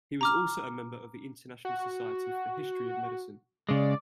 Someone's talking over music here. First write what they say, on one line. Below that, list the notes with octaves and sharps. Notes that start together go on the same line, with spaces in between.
He was also a member of the International Society for the History of Medicine.
A#5 D6 F6
F#4
C#3 G#3 D5